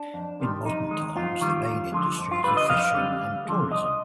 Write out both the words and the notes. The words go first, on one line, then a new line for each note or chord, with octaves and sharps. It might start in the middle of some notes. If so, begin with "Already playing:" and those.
In modern times, the main industries are fishing and tourism.
Already playing: D4
F2
C3 D#3 G3
F2 D#4
D#3 G#3
F2 F4
D#3 G3
D#2
D3 F3 G#3
F2
F4
D3 G3 B4
D#5
F2 F5
D3 G3
D2
G#3
D3 F3
C2 D#5